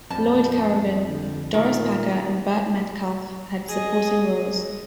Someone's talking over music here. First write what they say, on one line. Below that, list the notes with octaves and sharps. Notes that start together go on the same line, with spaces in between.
Lloyd Corrigan, Doris Packer, and Burt Metcalfe had supporting roles.
F2 A#2 G3 A5
D3
A#2 D#3
G#4 D#5